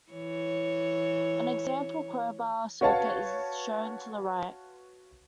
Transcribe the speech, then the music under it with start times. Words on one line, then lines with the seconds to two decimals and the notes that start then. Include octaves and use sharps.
An example crowbar circuit is shown to the right.
0.11 E3 C#5
2.81 F#4 B4 C#5 F5 A5